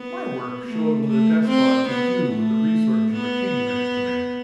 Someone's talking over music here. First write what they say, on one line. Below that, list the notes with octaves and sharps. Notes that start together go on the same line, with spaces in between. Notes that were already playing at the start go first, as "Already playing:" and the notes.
My works showed what a despot could do with the resources of a kingdom at his command.
Already playing: B3
A3
A3
C4
B3
A3
B3